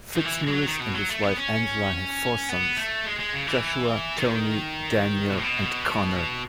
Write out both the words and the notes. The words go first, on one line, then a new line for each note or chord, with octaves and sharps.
Fitzmaurice and his wife Angela have four sons: Joshua, Tony, Daniel and Connor.
D#3
E3
G#3
F#3
D#3
B2
F#3
A3
B3
C#4
B3
A3
G#3
G#3
C#3
E3
D#3
B2
A2
B2